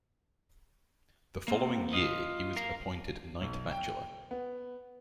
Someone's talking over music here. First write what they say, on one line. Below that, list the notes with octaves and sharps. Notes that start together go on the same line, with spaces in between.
The following year he was appointed Knight Bachelor.
A#3 C4
F4 D#5
A#4 F5
B1
G5
B3